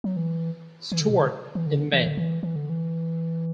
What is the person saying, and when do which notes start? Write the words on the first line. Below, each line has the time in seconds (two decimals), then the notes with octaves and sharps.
Stuart in May.
0.04 F#3
0.17 E3
0.92 E3
1.01 D3
1.09 B2
1.19 D3
1.55 E3
1.67 D3
1.93 E3
2.06 D3
2.17 E3
2.43 E3
2.56 D3
2.70 E3